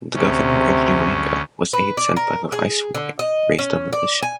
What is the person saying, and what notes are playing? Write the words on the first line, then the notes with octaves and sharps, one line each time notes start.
The governor of Durango, with aid sent by the viceroy, raised a militia.
D2 C3 C#4
B4
D5
A#4
G#4
D3
D#5
C#4
D5
G#5